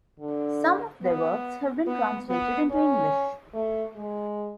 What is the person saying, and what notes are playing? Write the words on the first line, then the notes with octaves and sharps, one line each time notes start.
Some of their works have been translated into English.
D3
B3
B3
B3
C#4
A3
G#3